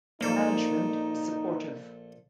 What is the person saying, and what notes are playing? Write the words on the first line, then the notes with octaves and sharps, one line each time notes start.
Management is supportive.
A#1 A#3 D#4 A4